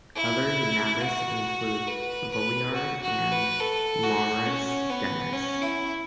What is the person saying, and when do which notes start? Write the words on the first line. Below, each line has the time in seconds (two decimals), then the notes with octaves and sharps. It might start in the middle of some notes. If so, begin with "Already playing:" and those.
Other Nabis include Vuillard and Maurice Denis.
0.15 E4
1.01 F#4
1.88 B4
2.31 B4
2.74 F#4
3.02 F#4
3.31 B4
3.60 A4
4.03 F#4
4.46 C#4
4.90 B3
5.33 C#4
5.62 E4